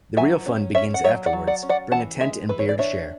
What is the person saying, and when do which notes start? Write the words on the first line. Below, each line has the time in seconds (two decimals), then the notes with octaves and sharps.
The real fun begins afterwords, bring a tent and beer to share.
0.17 F#3 E5 G#5
0.46 C#4
0.75 C#4 C#5 E5
0.94 F#5
1.04 F#3 C#5 E5
1.26 D5 F#5
1.33 F#3
1.47 D5 F#5
1.63 C#4
1.69 D5 F#5
1.91 E3 F#5 A5
2.21 G#3 E5 G#5
2.49 E3 B4
2.59 C#5
2.69 D5
2.79 D4 C#5 E5